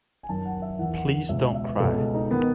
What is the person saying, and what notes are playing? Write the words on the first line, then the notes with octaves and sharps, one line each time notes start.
Please don't cry.
G#5
F#2 D#3 A5
F#5
E5
E2 D#3 F#5
F#5
F#5
C#2 B2 E5
E5
B4
C#2 B2 A4
G#4
D#4
D#3 B3